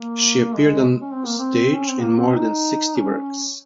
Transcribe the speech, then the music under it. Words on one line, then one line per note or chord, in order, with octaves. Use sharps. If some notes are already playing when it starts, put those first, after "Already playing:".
She appeared on stage in more than sixty works.
Already playing: A#3
G#3
C#4
C4
A#3
C4
C#4
C4
A#3
C4
D#4
C#4